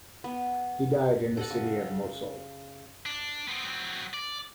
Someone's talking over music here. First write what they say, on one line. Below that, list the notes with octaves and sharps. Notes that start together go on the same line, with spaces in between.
He died in the city of Mosul.
B3
A4 D#5 F#5
C#3
D4
B3 C4
F#3 C4
D5